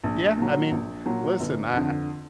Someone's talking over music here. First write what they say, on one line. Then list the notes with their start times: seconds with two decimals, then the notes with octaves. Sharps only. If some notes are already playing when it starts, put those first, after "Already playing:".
Yeah. I mean, listen. I
0.04 A#1
0.37 A#2 F#3
0.72 A#1
1.05 A#2 F#3
1.40 G1
1.73 F2 D3